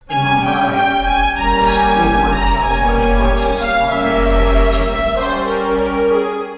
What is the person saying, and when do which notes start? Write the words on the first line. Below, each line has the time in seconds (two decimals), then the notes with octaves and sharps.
In Mumbai, a school going child's lunch box is fondly called a Tiffin box.
0.12 G3 C#4 G#5
0.44 G5
0.75 G5
1.08 G#5
1.39 G3 A#3 C#4 A#5
1.70 G#5
2.34 A#5
2.65 G3 A#3 C#4 G#5
2.97 G#5
3.60 F5
3.92 G3 A#3 C#4 E5
4.88 E5
5.18 G3 C#4 C5
5.50 A#4
5.82 A#4
6.13 G#4